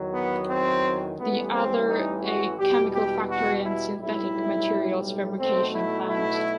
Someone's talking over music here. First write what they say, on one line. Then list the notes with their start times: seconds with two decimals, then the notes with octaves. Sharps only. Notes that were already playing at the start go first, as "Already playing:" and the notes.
The other a chemical factory and synthetic materials fabrication plant.
Already playing: E2 D#3 F#3
0.13 B3
0.47 C4
1.17 A1 A2 E3 G3 B3
1.52 C4
1.88 D#4
2.22 F#4
2.57 E2 B2 G3 G4
2.92 G4
3.28 F#4
3.63 E4
3.97 B1 A2 G3 E4
5.38 B1 B2 A3 C4
5.73 E4
6.08 E4